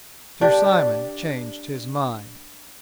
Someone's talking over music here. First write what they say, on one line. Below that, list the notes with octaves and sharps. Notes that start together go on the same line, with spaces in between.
Sir Simon changed his mind.
D4 G4